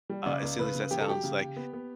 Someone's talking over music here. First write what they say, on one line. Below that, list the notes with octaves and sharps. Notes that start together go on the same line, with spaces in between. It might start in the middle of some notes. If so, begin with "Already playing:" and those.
Uh, as silly as that sounds like,
G3
C#3 D5
C#2
C#3 B4
C#3
C#3 G4
A4
F#3 G4
C#3
C#3
B3
B3